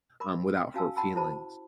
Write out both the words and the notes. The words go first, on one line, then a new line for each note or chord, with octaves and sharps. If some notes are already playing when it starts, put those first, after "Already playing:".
um, without hurt feelings?
A#4 B5 C6 D6
G5
C#4 F#4 F5 G#5 A5 E6
F#5 G5 A5 B5 C6 E6
E4 F#4 C5 A5 B5